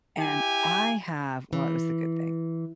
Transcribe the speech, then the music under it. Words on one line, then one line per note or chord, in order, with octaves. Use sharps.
and I have Well, it was a good thing.
E4 G4 G#5
E3